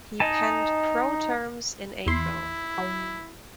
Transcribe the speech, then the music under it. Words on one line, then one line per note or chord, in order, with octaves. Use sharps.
He penned pro terms in April.
D#4 D#5 G#5 A5
E2 E4 C6
F#3